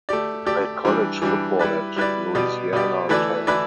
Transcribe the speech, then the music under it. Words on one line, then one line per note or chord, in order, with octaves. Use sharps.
He played college football at Louisiana Tech.
A3 G4 D5
A3 G4 D5
E3 G3 D4
E3 G3 D4
G3 E4 B4 D5
G3 E4 B4 D5
B2 B3 G4 D5
B2 B3 G4 D5
E3 A3 E4 B4 D5
E3 A3 E4 B4 D5